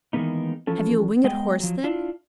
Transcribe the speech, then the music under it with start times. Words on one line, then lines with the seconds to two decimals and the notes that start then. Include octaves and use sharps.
"Have you a winged horse, then?"
0.13 D#3 E3 G#3 A#3 B3 D#4
0.67 E3 F3 C#4 A4
1.24 G#3 B3 D#5 G5
1.60 F3 F#3
1.84 D4 E4 F4